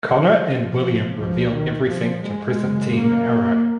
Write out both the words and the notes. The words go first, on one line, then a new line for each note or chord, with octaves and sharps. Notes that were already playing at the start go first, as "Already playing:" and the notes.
Connor and William reveal everything to Present Team Arrow.
F3
C#2 B2 F3
D#3
F3
G#3
F#2 C#3
A#3